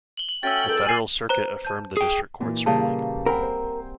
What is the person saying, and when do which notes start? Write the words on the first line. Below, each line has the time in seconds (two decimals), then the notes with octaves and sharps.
The Federal Circuit affirmed the District Court's ruling.
0.17 F#7 G7
0.29 F#7
0.43 F#3 A3 C#4 G5 E6 A6
0.68 C#2 F#2 A4 G5
0.87 G#5 E6 C7
1.29 B4 C5 A#5
1.65 A5 G6
1.97 G#4 G5
2.41 A#2 E3 F#4
2.66 C#3 G3 A#3 A5
3.26 C4 A#4 F#5 G#5 B5
3.43 C5